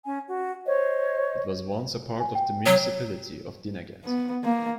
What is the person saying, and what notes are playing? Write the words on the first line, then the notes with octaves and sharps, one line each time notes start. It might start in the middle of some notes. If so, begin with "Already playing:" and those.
It was once a part of the municipality of Dinagat.
C#4 G#5
F#4
C5 C#5 D#5
G#5
G5
F#3 C#5
B3
A#3